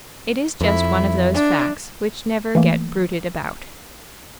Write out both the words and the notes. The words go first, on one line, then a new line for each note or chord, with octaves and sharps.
It is just one of those facts which never get bruited about.
F2 E4
D4
E3 A3 A#3